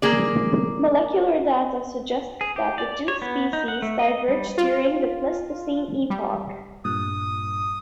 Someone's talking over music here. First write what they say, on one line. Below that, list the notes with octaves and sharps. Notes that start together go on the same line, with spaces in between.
Molecular data suggests that the two species diverged during the Pleistocene epoch.
A#3 G#4 D5
G#4
G4
D5
C#5
B3
D#4
F#5
A3
D#5
G3
F4
G3
G2 A#2 D#6